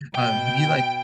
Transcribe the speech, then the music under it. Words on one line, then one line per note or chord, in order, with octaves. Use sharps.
um, have you like
B2 G5